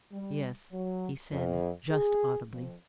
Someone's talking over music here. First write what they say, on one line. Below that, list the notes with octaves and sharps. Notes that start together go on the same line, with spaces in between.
"Yes," he said, just audibly.
G3
F#3
F2
G#4
F2